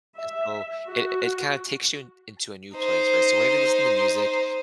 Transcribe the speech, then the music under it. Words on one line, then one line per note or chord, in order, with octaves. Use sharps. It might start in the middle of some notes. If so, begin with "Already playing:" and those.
And, so it it kinda takes you into a new place right? So, whenever you listen to music,
E5
F#4
D#4 C5